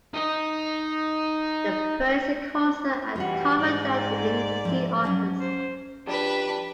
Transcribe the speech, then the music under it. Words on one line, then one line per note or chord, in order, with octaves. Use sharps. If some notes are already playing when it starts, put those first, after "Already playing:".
The fur is coarser and tougher than in sea otters.
D#4 D#5
E3 G3 F4 F#4 F#5
G#2 D5
F3 E4
F#3 C#4 A5
C5
F3 G3 D4 G4 B4